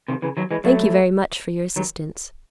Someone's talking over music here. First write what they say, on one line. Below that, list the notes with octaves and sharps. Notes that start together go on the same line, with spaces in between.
Thank you, very much, for your assistance.
C3 D#3
C#3 E3
D#3 F#3
E3 G#3
F#3 A3
D#3 F#3